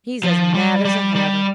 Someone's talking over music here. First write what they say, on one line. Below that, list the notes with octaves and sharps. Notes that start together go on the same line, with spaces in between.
He's as mad as a hatter.'
F3
G3
G3
G3